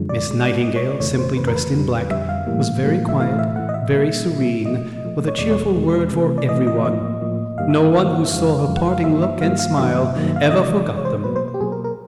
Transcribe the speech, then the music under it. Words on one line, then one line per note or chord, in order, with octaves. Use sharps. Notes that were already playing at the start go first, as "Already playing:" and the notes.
Miss Nightingale, simply dressed in black, was very quiet, very serene, with a cheerful word for everyone; no one who saw her parting look and smile ever forgot them.
Already playing: F#2 D3 F3 G#3
D5
B2 G#3
B2 G#3 D#5
C#5
D5
F2 C#3 E3 A3 C#5
C5
F2 C#3 E3 A3 B4
A#4
B4
F2 D3 G3
F2 D3 G3 E5
F5
A2 E3 G3 A#3
A2 E3 G3 A#3
E5
A2 E3 A3 F5
E5
A2 E3 A3 F#5
D#5
E5
A#2 G3 A#3
A#2 G3 A#3
A#2 F3 A3 D#5
A#2 F3 A3
C#5
E2 B2 G#3 D5
C#5
E2 B2 G#3
C3 E3 A3
D5
C3 E3 A3 D#5
D#5
A2 F3 A#3 D#5
A2 F3 A#3
G2 D#3 G3 A#3 F5
E5
F5
G2 D#3 G3 A#3 F5
F#5
E5
F2 C#3 F3 G#3 F5
F2 C#3 F3 G#3
F#5
F5
G2 D#3 G3 A#3 E5
E5
G2 D#3 G3 A#3 F5
F5
G2 D#3 F#3 A#3 E5
G2 D#3 F#3 A#3
F5
E5
C3 E3 G#3 D#5
D5
D5
C3 E3 G#3
C#5
C5
B2 F#3 A#3 B4
C5
C5
G4
B2 F#3 A#3 G#4
A#4
A#4